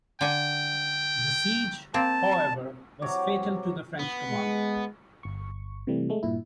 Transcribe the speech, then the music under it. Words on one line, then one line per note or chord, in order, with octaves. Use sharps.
The siege, however, was fatal to the French commander.
D3 G5 G#5
A#3 C4 A5
C3 F#3 C#5 D6
B3
G#3
G1 C#6
C3 E3 G3 A3
G#3 A3
G2 A#2 E4